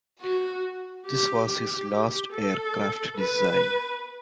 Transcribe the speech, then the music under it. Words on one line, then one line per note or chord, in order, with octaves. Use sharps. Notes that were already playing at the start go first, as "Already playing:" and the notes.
This was his last aircraft design.
F#4
G4
G4
A4
B4